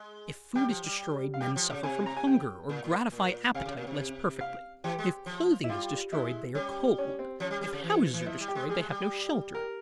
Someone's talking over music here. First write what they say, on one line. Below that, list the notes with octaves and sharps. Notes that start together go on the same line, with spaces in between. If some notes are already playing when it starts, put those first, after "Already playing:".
If food is destroyed, men suffer from hunger or gratify appetite less perfectly; if clothing is destroyed, they are cold; if houses are destroyed, they have no shelter.
Already playing: G#3
G3 G5
F3
G3
F5
G3 G5
F3
C#3
C3 G#5
A#5
G#5
G5
A#2
A#2
A#2
C3 F5
C#3
A#2
C3
F5
E3 G4
G#3
F3
E4
G3 F4
G#3 E4
G3 C#4
C#4
C4
F3 C#4
G3
G3
C#3
E3
E3
F3 E4
G3
G4
G#3
G3 G#4
G#3
G3
A#4